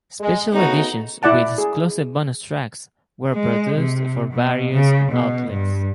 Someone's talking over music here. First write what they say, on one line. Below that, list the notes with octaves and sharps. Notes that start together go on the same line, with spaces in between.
Special editions with exclusive bonus tracks were produced for various outlets.
G#3
C#3 A3 B3 D#4 F#4
E4 D5 F#5 A5
G#4
G#3
C3
B2
C#3
B2
G2